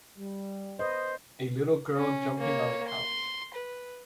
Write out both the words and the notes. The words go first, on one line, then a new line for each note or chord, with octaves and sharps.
A little girl jumping on a couch.
G3
B4 C5 D#5
C#4
A#3 C#5
C6
B4